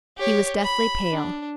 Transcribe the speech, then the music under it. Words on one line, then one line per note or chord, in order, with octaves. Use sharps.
He was deathly pale.
G4 C#5
B5
D4